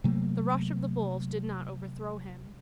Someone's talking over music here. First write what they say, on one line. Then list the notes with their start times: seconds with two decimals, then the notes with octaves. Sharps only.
The rush of the bulls did not overthrow him.
0.04 C3 F#3 A3 A#3